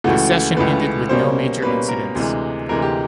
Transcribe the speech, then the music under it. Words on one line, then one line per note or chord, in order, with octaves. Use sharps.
The session ended with no major incidents.
C#2 C#3 E3 A3 F#4
C#2 C#3 E3 A3 B4
B2 G3 A#3 C#4 C5
B2 G3 A#3 C#4 B4
A#4
D2 C3 E3 G#3
D2 C3 E3 G#3 A#4
G4